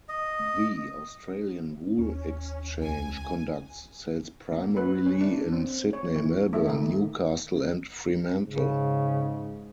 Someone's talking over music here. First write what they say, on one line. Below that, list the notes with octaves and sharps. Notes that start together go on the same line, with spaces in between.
The Australian Wool Exchange conducts sales primarily in Sydney, Melbourne, Newcastle, and Fremantle.
D#5
D#2 C#4
C#2 G#5
A#3
B4
C#4
D4
C4
C#5
E3
A3
D#3
G#2 C#3